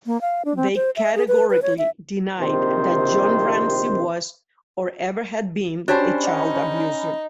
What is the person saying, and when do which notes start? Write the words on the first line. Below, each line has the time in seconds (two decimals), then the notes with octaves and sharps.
They categorically denied that John Ramsey was, or ever had been, a child abuser.
0.06 A#3
0.21 F5
0.45 D4
0.57 C4
0.75 C5
0.96 E5
1.15 G#4
1.28 B4
1.50 B4
1.62 C#5
1.78 E5
2.40 A#1 C3 D#3 C4 C5
5.88 C#4 D4 F#4 G4 C5 C#5 A5 B5
6.24 D#4 D5 F#5